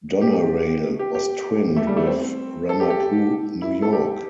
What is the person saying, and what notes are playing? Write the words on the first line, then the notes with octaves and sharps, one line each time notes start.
Doneraile was twinned with Ramapo, New York.
G4
G4
G4
A3
G3
A3
C4
A4
G4
G4
E4
A4
G4